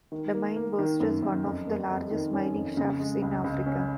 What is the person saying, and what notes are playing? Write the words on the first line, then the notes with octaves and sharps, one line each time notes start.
The mine boasts one of the largest mining shafts in Africa.
D#3
A#3
A#3
D#3
F#2
F#2
F2
A#3
F2
D#3
C#4
F2
C#3
G#3
C#2
C#2
C#4